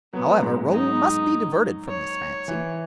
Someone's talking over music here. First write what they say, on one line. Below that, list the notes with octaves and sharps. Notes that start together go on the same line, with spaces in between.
However, Raoul must be diverted from this fancy.
F#3 B3
G#2 G#3
F#3 D#4
C#5
E3